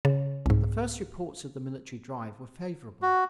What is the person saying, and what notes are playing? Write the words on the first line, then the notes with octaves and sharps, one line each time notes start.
The first reports of the military drive were favorable.
C#3
C2 G#2
F#4